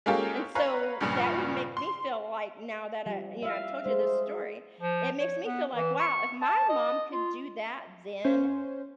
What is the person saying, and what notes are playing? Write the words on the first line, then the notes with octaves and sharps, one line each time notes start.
and so, that would make me feel like now that I you know, I told you this story, it makes me feel like, "Wow, if my mom could do that then,
G#3 A#3 C#4 F4 G4 A4
B4 C#5 F5 A#5
C#2 G2 A#2 C#3 F3
C6
F3 G3
E5 F5
G#3 C5
F3
C#5
B3
E3
C#6
A5
D#5
F4
C#4 C5